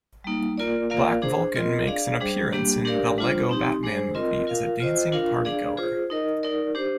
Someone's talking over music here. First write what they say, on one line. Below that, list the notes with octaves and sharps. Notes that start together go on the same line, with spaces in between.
Black Vulcan makes an appearance in "The Lego Batman Movie" as a dancing partygoer.
G3 A#3 D#4
A#3 F4 A#4 D5
A#3 F4 A#4 D5 F5
D4 G#4 C5
C4 F4 A#4 D#5
D4 G#4 D5 F5
G3 D4 G#4 C5
G3 A#3 D4 G4
D4 G4 A#4 D5 F5
G3 D4 F4 C5
C4 D#4 G4
G#3 D4 G#4 C5
C4 F4 A#4 D#5
F4 A#4 F5
F4 C5 D#5
D4 F4 A#4 F5
D4 G#4 D5 F5
F4 G#4 C5
D#4 A#4 D#5
D#4 A#4 D5
D4 G4 C5